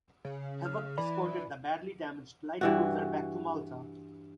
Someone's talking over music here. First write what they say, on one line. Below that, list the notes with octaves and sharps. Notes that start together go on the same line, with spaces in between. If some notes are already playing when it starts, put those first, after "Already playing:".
"Havock" escorted the badly damaged light cruiser back to Malta.
C#3
F6
E3 D5 B5
G2 E3 F#4